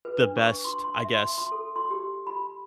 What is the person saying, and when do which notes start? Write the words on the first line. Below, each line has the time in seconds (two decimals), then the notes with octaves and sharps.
the best, I guess,
0.05 B4
0.21 D4
0.37 C#6
0.65 C6
0.84 C6
1.00 E5
1.14 C6
1.38 C6
1.52 A4
1.76 C6
1.91 G4
2.27 B5